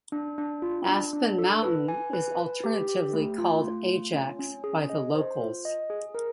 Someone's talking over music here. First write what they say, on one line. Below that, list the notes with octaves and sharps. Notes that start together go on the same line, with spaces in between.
Aspen Mountain is alternatively called Ajax by the locals.
D4
D4
F4
D4
D4
A4
B4
G#5
B4
B4
G4
G4
A3
F4
A3
F4
C#4
C#4
G#4
D#5
C5
F4
D#5
G#4
A#4